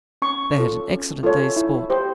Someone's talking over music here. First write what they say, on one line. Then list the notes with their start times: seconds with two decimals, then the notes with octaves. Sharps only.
They had an excellent day's sport.
0.22 C#4 C#6
0.56 F4 A4 C#5
0.89 C#4
1.23 F4 A4 C#5
1.56 E4
1.90 G4 C5